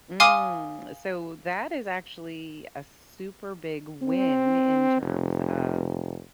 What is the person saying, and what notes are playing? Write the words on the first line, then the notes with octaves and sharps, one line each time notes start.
Mm. So, that is actually a super big win in terms of
F5 G#5 C6 D6 D#6 F6
C4
F1